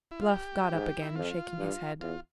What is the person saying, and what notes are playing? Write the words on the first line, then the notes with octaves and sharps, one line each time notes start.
Bluff got up again, shaking his head.
E4
F4
G4
G#2
E4
F2 F4
G2
E2 F4